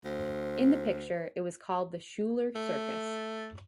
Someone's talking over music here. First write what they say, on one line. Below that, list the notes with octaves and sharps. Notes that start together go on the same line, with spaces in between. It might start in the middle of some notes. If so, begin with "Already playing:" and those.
In the picture, it was called the "Schuler" circus.
D2 C5
A3